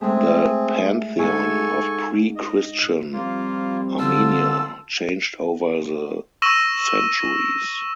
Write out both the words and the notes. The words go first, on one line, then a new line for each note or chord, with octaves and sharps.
The pantheon of pre-Christian Armenia changed over the centuries.
G#3 A3 C4 G#4
G#2 A4 G#5 C#6
D#5
F3 G3 A#3 C4 F4
D3 F4 A5 E6
C#6 E6 A#6 D#7 E7 F#7